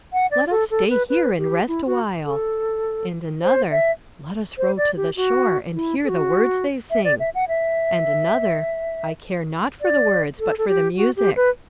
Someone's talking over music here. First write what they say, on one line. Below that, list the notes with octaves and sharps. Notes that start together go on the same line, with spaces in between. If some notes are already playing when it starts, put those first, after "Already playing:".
Let us stay here and rest awhile." And another, "Let us row to the shore, and hear the words they sing." And another, "I care not for the words, but for the music.
F#5
D5
A4
A4
B4
B4
G4
E4
F#4
A4
C5
E5
C5
D5
G4
F#4
E4
A4
F#4
E5
D5
E5
F#5
E5
D5
A4
A4
G4
F#4
G4
B4